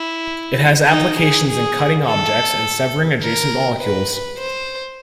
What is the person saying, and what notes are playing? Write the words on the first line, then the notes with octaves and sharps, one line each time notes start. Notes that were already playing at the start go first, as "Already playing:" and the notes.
It has applications in cutting objects and severing adjacent molecules.
Already playing: E4
D#4
G#4
G#4
A4
A#4
B4
C5